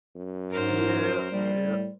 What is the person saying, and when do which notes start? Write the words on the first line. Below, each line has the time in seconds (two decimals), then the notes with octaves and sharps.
Oh yeah, yeah,
0.16 F#2
0.51 G#2 A#4 C5
1.32 A#1 G3
1.65 A2